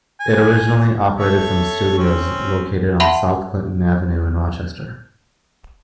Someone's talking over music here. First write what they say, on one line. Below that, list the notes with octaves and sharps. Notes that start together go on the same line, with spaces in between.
It originally operated from studios located on South Clinton Avenue in Rochester.
G#5
A4 C#5 E5
C4 C#4
E5 F#5 A5 B5 C6